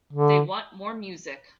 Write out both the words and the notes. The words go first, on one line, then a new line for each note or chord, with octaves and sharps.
They want more music.
D3